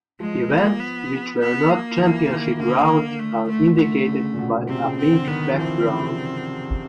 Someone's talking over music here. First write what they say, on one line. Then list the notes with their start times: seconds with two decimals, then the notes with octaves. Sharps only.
Events which were not championship rounds are indicated by a pink background.
0.20 F3 G#3
0.50 A#3
0.80 B3
1.40 B3
1.70 A#3
1.99 E3
2.29 D#3
2.60 D3 A#3
3.19 A3
3.49 A3
3.79 D3 A3
4.08 C#3
4.34 A#2
4.38 B2
4.53 B2
4.68 C3 C4
4.83 C#3
4.98 C4
5.13 D3
5.27 D#3 B3
5.51 F3
5.58 E3 C4
5.88 C#3
6.03 C3